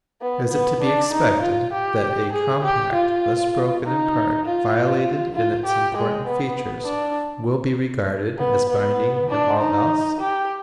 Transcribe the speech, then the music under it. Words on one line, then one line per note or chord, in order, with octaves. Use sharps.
Is it to be expected that a compact thus broken in part, violated in its important features, will be regarded as binding in all else?
B3
B3
D4
D#4
F4
G4
G#4
G4
F4
D#4
F4
F4
G4
G#3
B3
D4
B3
B3
D4
D#4
G4